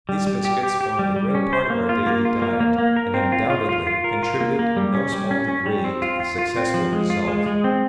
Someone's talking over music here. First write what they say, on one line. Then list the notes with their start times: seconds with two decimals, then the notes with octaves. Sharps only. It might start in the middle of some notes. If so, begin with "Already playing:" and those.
These biscuits formed a great part of our daily diet, and undoubtedly contributed in no small degree to the successful result.
0.09 G3
0.27 G3
0.45 G4
0.63 G4
0.81 G4
0.99 G3
1.16 G3
1.35 C#4
1.53 C5
1.70 A#3
1.89 F4
2.07 A#3
2.25 F4
2.42 A#3
2.60 A#3
2.79 A#3
2.96 A#4
3.14 C4
3.32 F4
3.50 F4
3.69 F4
3.87 F4
4.04 A#4
4.23 F4
4.41 A#3
4.59 A#3
4.77 G3
4.95 C#4
5.13 G3
5.31 C#4
5.48 C#4
5.66 G3
5.84 C4
6.02 F4
6.20 F4
6.38 F4
6.57 C4
6.74 F3
6.92 G#3
7.10 F4
7.28 G#3
7.46 G#3
7.64 C4